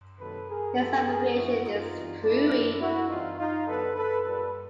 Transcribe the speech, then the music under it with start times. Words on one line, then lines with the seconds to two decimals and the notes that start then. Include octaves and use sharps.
His abbreviation is "Crewe".
0.19 C3 D#3 F#3 A#3 A4 B4
0.49 G#4 A#4
0.77 D3 F3 G#3 G4 A4
1.06 G#4 A#4
1.35 D3 F3 G#3 E4 F#4
1.64 D#4 F4
1.93 E3 G3 C4
2.22 D4 E4
2.51 D#3 F#3 A#3
2.80 E4 F#4
3.09 E3 G3 C4 D#4 F4
3.38 D#4 F4
3.67 D3 F#3 B3 A4 B4
3.95 A4 B4
4.24 A#2 G3 A#3 A4 B4